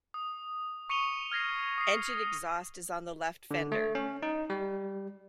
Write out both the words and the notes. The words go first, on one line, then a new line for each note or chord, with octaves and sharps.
Engine exhaust is on the left fender.
D#6
C#6 C#7 D#7 F7 G7
F6 G#6 A#6 C7
D#6 C7
D3
A3
C#4
D#4
G3